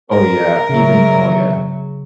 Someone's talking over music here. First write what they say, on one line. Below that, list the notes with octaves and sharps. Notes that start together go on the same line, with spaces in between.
Oh, yeah, even Oh, yeah.
A#4
C#3 F#3 E5